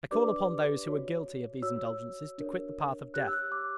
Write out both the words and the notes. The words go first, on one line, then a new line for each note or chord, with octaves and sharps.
I call upon those who are guilty of these indulgences to quit the path of death.
D4 G4 B4 D5 D6
F#4 C#5
F#4 C#5 E6
D4 A#4 C#5
G4 C#5 F#6
E6
F#6
D6